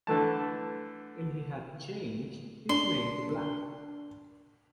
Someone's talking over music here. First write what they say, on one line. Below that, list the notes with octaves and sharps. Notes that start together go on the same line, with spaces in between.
And he had changed his name to Black.
D3 E3 A3 A5
D4 C6